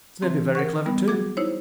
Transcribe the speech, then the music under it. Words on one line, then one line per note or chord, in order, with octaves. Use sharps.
This may be very clever too.
E3 C4
A#4 F#5 C#6
G3 B3 B5
F#3 F#4 G#4 D6
D#4 E4 C5 C#5